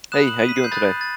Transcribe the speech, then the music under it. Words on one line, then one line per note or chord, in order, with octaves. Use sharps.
Hey, how you doing today?
B5 D#6 F#6 E7
F#7
D#7
B6
C7
G6
B5 D#6 F#6 A6
A6